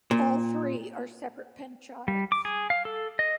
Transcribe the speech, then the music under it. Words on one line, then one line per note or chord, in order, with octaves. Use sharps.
All three are separate panchayats.
A#2
G3
D6
G#4
F5
A4
D#5